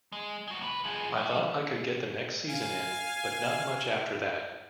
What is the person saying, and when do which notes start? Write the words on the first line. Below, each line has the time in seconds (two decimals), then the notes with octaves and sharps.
I thought I could get the next season in, but not much after that.
0.12 G#3
0.48 G#3 F#4
0.61 C3 B4
0.84 F3 G#4
1.18 G3
2.49 F5 G#5